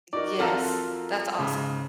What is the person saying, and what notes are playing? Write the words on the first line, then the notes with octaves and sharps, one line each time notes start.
Yes, that's awesome.
D#4 F#4 A#4 D5
F2 F4 F#4 A4 A#4 A#5 E6
G#2 C#3